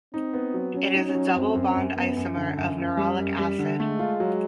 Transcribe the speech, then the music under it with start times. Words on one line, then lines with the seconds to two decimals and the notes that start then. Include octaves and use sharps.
It is a double bond isomer of nerolic acid.
0.13 C4 D#4
0.34 B3
0.54 F#3
0.74 F#3 C#4
0.95 D#4
1.05 C#4
1.15 F#3
1.35 F#2 C4
1.55 F#2
1.75 F#2
1.96 F#2 B3
2.17 F#2
2.37 D3
2.57 F#2
2.78 F#2
2.97 G3
3.18 F#2
3.39 G3
3.59 D3
3.79 G#3 A3
3.99 F4
4.20 F#3